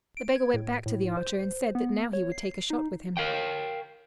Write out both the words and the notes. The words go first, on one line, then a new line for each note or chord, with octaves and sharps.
The beggar went back to the archer and said that now he would take a shot with him.
D7
G#6
A2
A2
C5
B3
C#5
C7
D#4
A#4 F5 G5